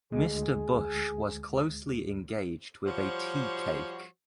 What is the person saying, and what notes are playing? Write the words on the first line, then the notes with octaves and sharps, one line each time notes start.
Mr. Bush was closely engaged with a tea-cake.
D2 G#3 G#4
F3 G3 F#4 C5 C#5